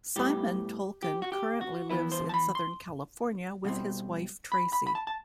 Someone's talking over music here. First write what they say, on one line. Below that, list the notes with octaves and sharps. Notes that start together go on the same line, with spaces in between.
Simon Tolkien currently lives in southern California with his wife Tracy.
A2 G3 B3 G4
G4
F#4
G4
F#4
E3 B3 E4 B4
C5
A5
B5
C6
B2 G3 C4
B5
B5
B5
A5
A5